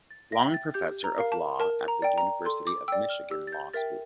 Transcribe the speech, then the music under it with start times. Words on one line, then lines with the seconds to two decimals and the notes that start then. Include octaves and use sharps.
Long Professor of Law at the University of Michigan Law School.
0.10 A6
0.32 E5 G5 A#6
0.54 A6
0.74 G4 G6
1.04 A#5
1.18 A#4 F5
1.32 A5
1.60 A#4 A5
1.88 A#5
2.02 D5 G5
2.18 A#5
2.45 A4 C6
2.67 D6
2.88 D5 G5 E6
3.10 F6
3.31 G4 E6
3.47 A6
3.52 G6
3.74 A#4 E5 G5 A6